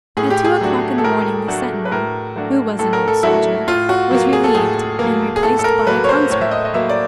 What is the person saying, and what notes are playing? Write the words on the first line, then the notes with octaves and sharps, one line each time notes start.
At two o'clock in the morning, the sentinel, who was an old soldier, was relieved, and replaced by a conscript.
A2 G#4
G4
G#4
F#3 A3 D4 F#4
A4
A2 A#4
F#3 A3 D4 F#4
B4
A2 A#4
F#3 A3 D4 F#4
A2 A4
A#4
A4
F#3 A3 D4 E4 F#4
A2 F4
F#4
F#3 A#3
G#4
A4
A2 G#4
F#3 A#3
G#4
A2 A4
A4
A#4
F#3 A#3 B4
C#5
C5
A2 C#5
E5
D#5
D#5
F#3 A#3 E5
D5